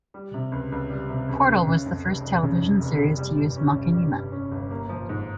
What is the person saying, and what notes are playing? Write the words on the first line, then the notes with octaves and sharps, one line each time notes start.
"Portal" was the first television series to use machinima.
G3
C3
C#2
C#2
G3
C3
C#2
C#2
C#3
F2
F1
F1
C#3
F2
F1
F1
G3
G2
C#4
G1
G3
G2
C#4
G1
A#3
F3
G#2